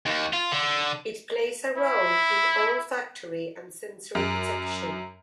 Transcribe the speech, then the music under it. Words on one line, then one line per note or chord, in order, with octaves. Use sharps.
It plays a role in olfactory and sensory detection.
D#2
F4
D3
E4
F#2 D7